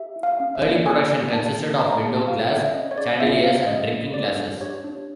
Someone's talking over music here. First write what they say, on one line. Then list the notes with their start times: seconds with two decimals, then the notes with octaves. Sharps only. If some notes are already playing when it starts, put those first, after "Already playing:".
Early production consisted of window glass, chandeliers and drinking glasses.
Already playing: G4 E5
0.16 E4
0.23 F5
0.40 C#4
0.55 E5
0.63 A#3
0.86 A#3 G#5
1.10 G4
1.33 D#4 A5
1.57 A#3
1.76 A5
1.79 C4 A#5
2.03 G#4 A5
2.27 F4 F5
2.50 C4 E5
2.74 C#4 D#5
2.91 C#5
2.97 G#4 D5
3.20 F4 E5
3.44 C#4 F5
3.67 G4 D#5
3.91 D4
4.14 G4 D5
4.38 D4
4.61 G4 C#5
4.84 D4